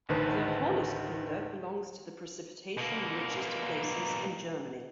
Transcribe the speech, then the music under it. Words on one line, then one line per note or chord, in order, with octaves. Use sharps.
The Hornisgrinde belongs to the precipitation-richest places in Germany.
A1 D2 D#3 B4 C5 A5
B2 A#3